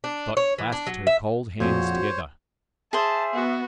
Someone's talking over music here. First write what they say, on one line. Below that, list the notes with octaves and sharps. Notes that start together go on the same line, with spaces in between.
Dot clasped her cold hands together.
D4
C#5
E3
D4
F#3
E5
F2 A#2 C4 F#4 G#4 C5 C#5
G#4 C5 E5 A5
B3 F#4